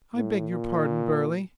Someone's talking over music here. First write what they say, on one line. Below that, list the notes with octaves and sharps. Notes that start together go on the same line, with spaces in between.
"I beg your pardon, Burly!"
A2
A#2